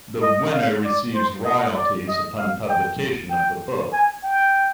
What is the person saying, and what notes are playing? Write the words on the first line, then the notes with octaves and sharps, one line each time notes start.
The winner receives royalties upon publication of the book.
D#5
F5
D5
C5
D#5
D5
D#5
F5
G5
G5
G#5
G5